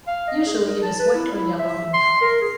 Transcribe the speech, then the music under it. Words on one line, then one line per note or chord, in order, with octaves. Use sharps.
Usually it is white or yellow in color.
F5
D#5
G#4
A#4
A5
B4
E4
E4
E5
C6
A#4
G#4